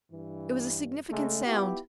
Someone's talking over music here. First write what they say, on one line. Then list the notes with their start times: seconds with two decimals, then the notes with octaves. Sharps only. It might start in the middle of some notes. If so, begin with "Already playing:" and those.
It was a significant sound.
0.12 G2 E3
1.11 C#3 G#3 A3
1.45 B3 E4 F4 G4